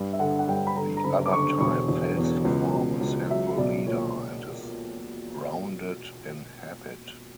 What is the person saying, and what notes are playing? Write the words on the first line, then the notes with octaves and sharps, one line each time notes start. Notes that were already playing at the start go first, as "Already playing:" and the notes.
The other type fails to form a central leader and is rounded in habit.
Already playing: G2
E5
D3 F#5
F#5
G2 G5
B5
D3 A#5
A#5
F#1 B5
D6
D3 C#6
E1 C#6
E1
E2
C#2
B2
C#2
F#3 E5
B1 D5
A#2 C#5